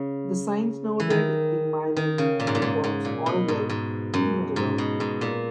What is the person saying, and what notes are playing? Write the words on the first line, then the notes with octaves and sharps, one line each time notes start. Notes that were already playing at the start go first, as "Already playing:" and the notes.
The signs noted the mileage to Bob's Oil Well in Matador.
Already playing: C#3
E3
D#3
D#3
C#3
A#2
G#2
A#2
G#2
G#2
A#2
B2
G#2
G#2
F#2
G#2
B2
G#2
A#2